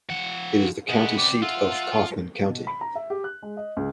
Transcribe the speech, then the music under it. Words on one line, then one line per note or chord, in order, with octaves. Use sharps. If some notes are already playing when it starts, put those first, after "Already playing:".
It is the county seat of Kaufman County.
F3 F#5
C3 B3 G#4 D#5 F#5
D5 G5
F4 E5 F#5
B2
B5
A#5
E5
G4
F#6
G#3
D#5
C#2